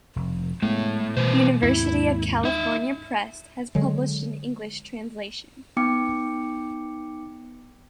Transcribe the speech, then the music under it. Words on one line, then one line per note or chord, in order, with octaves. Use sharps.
University of California Press has published an English translation.
F1
A2 G#3 A3 B3
B2 E3 B4 C5
D#2 G#2 C4 E4
D#4 E5
D3 F#3 G#3
B3 D#4 G5 D6 C#7